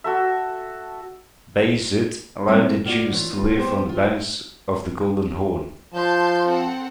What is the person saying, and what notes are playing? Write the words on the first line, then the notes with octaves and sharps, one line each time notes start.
Bayezid allowed the Jews to live on the banks of the Golden Horn.
F#4 A4 E5
G#2 G3 G#3 A#3 C4
A#3 F4 F#4 D5
E3 F4 C#5
D2 F4
B3 G4 C5
F4
F3 A5 C6 G6
C4 A4 F#5